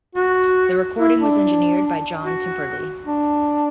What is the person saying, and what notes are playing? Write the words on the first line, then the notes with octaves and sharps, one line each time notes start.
The recording was engineered by John Timperley.
F#4
E4
D4
F#4
D4